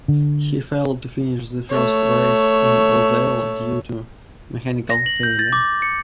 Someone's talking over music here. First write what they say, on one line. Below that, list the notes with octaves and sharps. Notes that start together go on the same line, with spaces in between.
He failed to finish the first race in Losail due to a mechanical failure.
D3
A3 C#5
A#6
F#7
G6
A6
D6
C#7